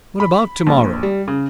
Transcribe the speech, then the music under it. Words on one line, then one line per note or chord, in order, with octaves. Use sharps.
"What about to-morrow?"
B5
A#1
G3
C#3